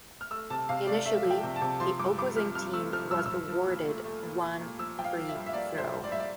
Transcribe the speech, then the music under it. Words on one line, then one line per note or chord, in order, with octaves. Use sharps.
Initially, the opposing team was awarded one free throw.
F6
A3 E6
C3 A5
C3 F5
A3 D5
A3 E5
F3
G5
C3
A5
C3
F3 C6
G2 D6
G2 D6
F3 F6
G2 F6
A3 E6
F3 F6
G2 E6
F6
F3 E6
F3
A#2
A3
A3
A#2
A#2
A#2
F3 E6
F3 G5
F5
F3
E5
G2
E5
A#3 D5
F3
C5
G2
D5
G2 E5
D5